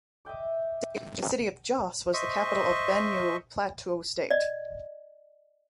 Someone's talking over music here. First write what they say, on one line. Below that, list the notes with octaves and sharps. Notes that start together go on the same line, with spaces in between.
The city of Jos was the capital of Benue-Plateau State.
D#5 E5 G5 D6
C5 D#5 E5 C#6
D5 D#5